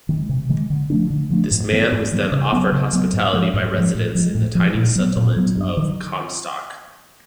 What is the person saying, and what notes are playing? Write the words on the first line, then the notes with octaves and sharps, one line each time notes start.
This man was then offered hospitality by residents in the tiny settlement of Comstock.
D#3 G#3
C3
D#3 G#3
D3
F3 A3 D4
D3
F3 A3 D4
G#2
E3 G3 B3
G#2
E3 G3 B3
C#3
F#3 B3
C#3
F#3 B3
G#2
F3 G#3
G#2
F3 G#3
A2
F3 G#3
A2
F3 G#3
A#2
F#3 B3
A#2
F#3 B3
G2
D#3 F#3